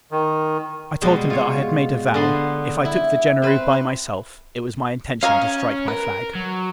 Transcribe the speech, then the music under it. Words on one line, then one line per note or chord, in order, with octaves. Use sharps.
I told him, that I had made a vow, if I took the Genereux by myself, it was my intention to strike my flag.
D#3
B2 G3 G#3
F4 C#5
D3 B3 C6
E4
C4 B4
C#4 A#4 D#5 F5
A#4 B4
F#3